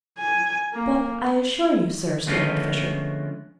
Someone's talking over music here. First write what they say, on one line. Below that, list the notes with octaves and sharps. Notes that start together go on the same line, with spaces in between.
"But I assure you, sir,--" stammered Fisher.
G#5
A#3
D3 F3 G#3 A3 B3 C#4